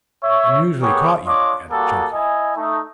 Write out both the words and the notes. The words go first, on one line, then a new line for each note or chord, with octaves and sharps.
"And usually caught you," added Chunky.
C#5 E5
B3 G4 G#4 A#4 C#5
D4 F4 C#5 D#5 D6
G3 A#3 F#4 G#4 A4
E4 D#5 G#5
A3 D#4